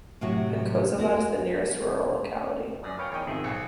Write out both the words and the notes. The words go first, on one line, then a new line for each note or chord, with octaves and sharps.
Penkozavod is the nearest rural locality.
A2 C3 F#3 F#4
B3 F#4 A#4
F#2 C#4 D5 D#6
A#4 B4 C#5 F5 G5
E2 D#4 G#4 A#4 C#5 D#5 G5
G#1 D#3 F3 C4 G#4 D#5 E5
B1 B2 G#5 C#7